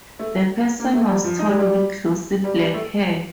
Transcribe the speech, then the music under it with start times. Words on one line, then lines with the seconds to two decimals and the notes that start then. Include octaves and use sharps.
That person was tall with glossy black hair.
0.19 A3
0.80 A#3
0.93 A3
1.09 G3
1.24 F3
1.39 D#4
1.48 G3
1.59 G3
2.44 G3
2.59 G3
2.74 A3